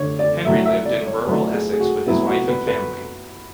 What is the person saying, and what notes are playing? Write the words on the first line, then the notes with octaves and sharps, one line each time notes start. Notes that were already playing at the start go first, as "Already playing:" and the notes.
Henry lived in rural Essex with his wife and family.
Already playing: D3 A3 C#5
D5
A2 F#3 A3 E5
E5
D5
C#5
A2 F#3 A3 B4
G#4
G#4
F#4
A2 F#3 B3 E4
F#4
B4
B4